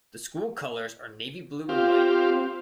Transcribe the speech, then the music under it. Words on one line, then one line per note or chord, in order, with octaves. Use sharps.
The school colors are navy blue and white.
C4 F4 G4 F5